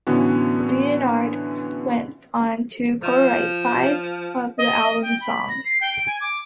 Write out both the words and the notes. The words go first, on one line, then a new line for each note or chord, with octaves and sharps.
Leonard went on to co-write five of the album's songs.
A2 D3 E3 B3 C#4 F#4
F3
D#5
D#5
G5
B5
A#6
C7
G5
D7
G#5
D6